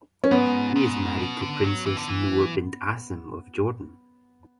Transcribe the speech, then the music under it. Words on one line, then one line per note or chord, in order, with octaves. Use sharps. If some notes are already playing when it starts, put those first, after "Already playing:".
He is married to Princess Noor bint Asem of Jordan.
C#4
G#2 B3
G#2
B2
D3
F#3
E3
D3
E3